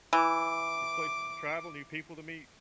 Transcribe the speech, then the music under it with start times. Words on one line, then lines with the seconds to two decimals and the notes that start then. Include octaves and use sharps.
new places to travel, new people to meet.
0.13 E3 D6